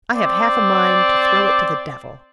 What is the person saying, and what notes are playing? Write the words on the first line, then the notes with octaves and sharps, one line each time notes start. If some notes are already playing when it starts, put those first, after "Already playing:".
I have half a mind to throw it to the devil.'
C4 D5